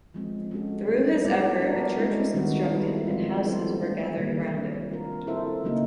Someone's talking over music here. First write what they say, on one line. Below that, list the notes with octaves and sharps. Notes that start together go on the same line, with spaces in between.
Through his effort, a church was constructed and houses were gathered around it.
F3 G#3 C4
G#3 C#4 F#4 A4
F#3 A3 D4
G3 B3 E4 A4 D5
B3 D4 F#4 A#4
G#3 C4 E4
D#3 G3 B3 D#4 F#4
G3 B3 E4 A4
F3 G#3 C4 F4
G3 B3 E4 A4 C5
A3 D4 F4
C3 D#3 G3 A#3 D#4
F#3 A#3 D4
C4 F4 A#4
C4 E4 A4 C5 E5
C#3 F#3 A#3 D#4